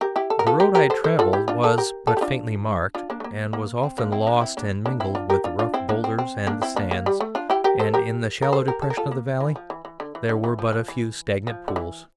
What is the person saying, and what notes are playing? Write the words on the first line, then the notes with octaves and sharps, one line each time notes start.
The road I travelled was but faintly marked, and was often lost and mingled with the rough boulders and the sand, and in the shallow depression of the valley there were but a few stagnant pools.
G4 A#4
E4 G4
A4
A#4
F4 A4
G4 A#4
G4 A#4
A4 C5
A4 C5
F4 A4
E4 G4
D4 F4
F4 A4
G4 A#4
F4 A4
G4
D4 F4
D4 F4
A#3 D4
A3
A#3
A#3
C4
A#3 D4
C4 E4
A#3 D4
C4 E4
A#3 D4
A#3 D4
C4 E4
D4 F4
G4 A#4
D4 F4
D4 F4
C4 E4
A#3 D4
C4
C4
A#3 D4
C4 E4
A#3 D4
A#3
G3
A3
D4 F4
E4 G4
G4 A#4
A4 C5
G4 A#4
A#4
A4 C5
G4 A#4
A4
A#4
F4 A4
A#3
E3
F3
E3
E3
D3
E3
D3
E3
F3
F3
E3
F3
D3
E3